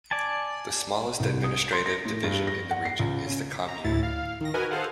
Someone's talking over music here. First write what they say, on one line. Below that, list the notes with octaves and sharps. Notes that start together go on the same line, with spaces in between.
The smallest administrative division in the region is the commune.
D5 G#5 A5
C2
D#6
C6
A#6
A2
G2
A#6
F#5
C7
C#2
C#4
A#5
D2 A2 E4 A6
F5
D#3 A#6
F#4 A#4 B4 D#5 G#5
G#4 A4 C5 F5 F#5